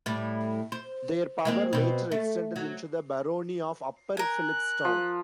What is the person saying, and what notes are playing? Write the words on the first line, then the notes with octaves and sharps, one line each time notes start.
Their power later extended into the barony of Upper Phillipstown.
A2 G3
C5
G#3 A#3 C4
B2 C4
A3
F#3
A#4 G#5 F#6
F3